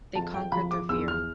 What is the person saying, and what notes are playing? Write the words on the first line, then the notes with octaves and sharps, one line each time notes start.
They conquered their fear.
F2 A5
G5
F3 B5
D6
E2 E6
F6